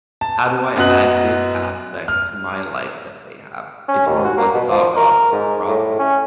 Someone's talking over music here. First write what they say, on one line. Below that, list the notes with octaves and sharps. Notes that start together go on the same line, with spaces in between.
How do I add this aspect to my life that they have?" It's more of, like, a thought process, and processing,
A5
F#2 B3 F#4 D#5 F#6 F#7
F6
C#4
D#2
F#4
A#3
B2
F3
A#4
G#2
A2
C#4